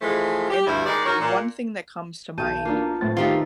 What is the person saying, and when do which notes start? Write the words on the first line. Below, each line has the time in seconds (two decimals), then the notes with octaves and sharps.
and one thing that comes to mind
0.02 E3 F3 G#3 A3
0.50 G4
0.67 D2 G2 G3 E4
0.86 D#3 G#3 D5
1.06 D#4 F#4 A#4 C#5
1.21 A#2
2.38 B1 A5 G6 D#7
2.65 A#3 B3 D4 F4
3.01 A2 C4 A6
3.17 D#3 A3 C4 D#4 F4 G4